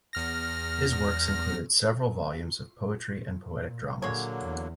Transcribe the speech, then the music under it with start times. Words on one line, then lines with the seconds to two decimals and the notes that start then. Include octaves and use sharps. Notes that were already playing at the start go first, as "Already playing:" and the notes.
His works included several volumes of poetry and poetic dramas.
0.13 E2 F6 A#6
3.64 A#2
4.02 D3 F#3 G#3 A#3 C#5
4.43 E2